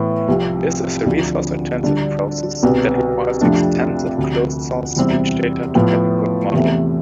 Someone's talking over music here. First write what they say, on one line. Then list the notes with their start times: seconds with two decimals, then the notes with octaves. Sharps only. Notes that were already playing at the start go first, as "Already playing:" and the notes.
This is a resource-intensive process that requires expensive closed-source speech data to get a good model.
Already playing: A2 E3 B3
0.28 C2 C3 F3
1.06 D2 D3 F3
1.84 D3 G3 D4
2.63 C2 B2 B3
3.41 F2 C3 F3 A3 D4
4.18 D2 C3 F3
4.97 E2 C3 G3 C4 E4
5.75 A2 F3 B3
6.53 E2 C3 E3 A3